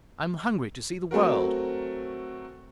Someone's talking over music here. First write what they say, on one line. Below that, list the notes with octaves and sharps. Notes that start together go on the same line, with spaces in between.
I am hungry to see the world.
F#3 A3 C4 F#4 A#4